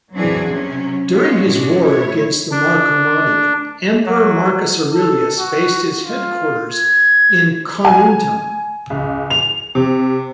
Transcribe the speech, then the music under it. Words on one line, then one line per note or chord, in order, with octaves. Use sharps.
During his war against the Marcomanni, Emperor Marcus Aurelius based his headquarters in Carnuntum.
E3 F#3 C4 D4 F#4 G#4
C3 F#3 C#4
G#3 B3 F4 C#5
A2 G#3 C#4 D4 F#4
A3 E4 C#5
D4
F#3
A4
F#4
F4
G#6
G#5
C#2
F7
C3